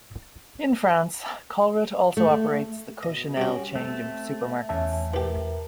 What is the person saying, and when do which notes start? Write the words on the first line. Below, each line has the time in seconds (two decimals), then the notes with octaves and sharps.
In France Colruyt also operates the Coccinelle chain of supermarkets.
2.17 A3
3.03 B2 D#5
3.37 G3 C#4 F#4
3.75 A3 C4
4.69 E2 C#4 E5 A5
5.14 E3 G4 A#4